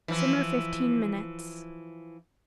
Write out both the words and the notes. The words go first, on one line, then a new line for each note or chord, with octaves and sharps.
Simmer fifteen minutes.
E3 F3 E4